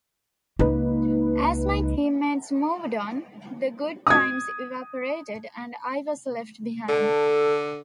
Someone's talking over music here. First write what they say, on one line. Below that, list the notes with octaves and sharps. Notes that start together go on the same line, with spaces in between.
As my team-mates moved on, the good times evaporated and I was left behind.
C#2 A#3 D#4 B4
D#6 G#6
D3 A4